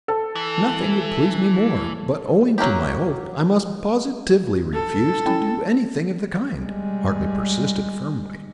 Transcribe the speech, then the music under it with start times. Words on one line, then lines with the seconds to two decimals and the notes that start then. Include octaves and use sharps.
"Nothing would please me more, but owing to my oath, I must positively refuse to do anything of the kind," Hartly persisted, firmly.
0.08 A4
0.35 E3
2.58 F#3 A#3 F#4 G4
4.73 A4
5.26 C#4 E4 G5
6.58 G3 G#3